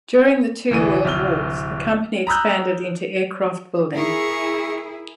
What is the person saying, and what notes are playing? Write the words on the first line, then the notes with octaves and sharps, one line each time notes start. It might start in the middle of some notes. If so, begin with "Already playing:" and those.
During the two world wars, the company expanded into aircraft building.
G1 C2 E3 D#7
D1 C3 F6 G7
A#5 B5 D#6 E6 F#6 G6
E4 G#4 A#4 C#6